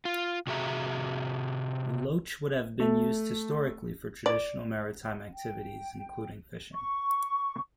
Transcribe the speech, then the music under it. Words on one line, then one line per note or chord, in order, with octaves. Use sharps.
The loch would have been used historically for traditional maritime activities including fishing.
F4
C3 F#4 G#4 E5 A#5
A3
D5
G5
C#6